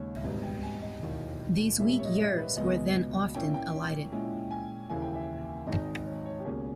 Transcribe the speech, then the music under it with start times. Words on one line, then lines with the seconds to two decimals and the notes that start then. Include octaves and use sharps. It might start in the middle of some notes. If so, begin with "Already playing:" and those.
These weak yers were then often elided.
Already playing: D#2 C#3 G#3 D#4 C#5
0.16 E5
0.24 G#1 G#2 G3 B3 D#4 D#5
0.43 G5
0.63 G#5
0.82 D#5
1.02 E1 D#2 D#3 A#3 E4
1.79 A#1 G#2 G3 A#3 C#4 E5
1.93 E5
1.99 C#5
2.05 D#5
2.18 E5
2.38 B4
2.57 C#2 B2 G#3 B3 D#5
3.34 A#2 A#3 C#4 E4 G5
3.54 G5
4.12 A#2 G#3 C#4 E4
4.51 G#5
4.90 D#2 C#3 E3 A#3 E4 G#5
5.02 G5
5.15 E5
5.67 G#1 G#2 D#3 G#3 D#4 D#5
6.05 C#5
6.25 C#5
6.40 G4
6.44 C#2 B2 A#3 C#4 G#4